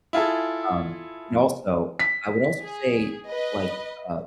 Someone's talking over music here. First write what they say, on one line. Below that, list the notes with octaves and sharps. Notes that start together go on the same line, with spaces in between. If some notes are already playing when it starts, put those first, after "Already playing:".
Um, but also I would also say, like, uh,
E4 F4 G#4 A4
B6
G#4
B4 D#5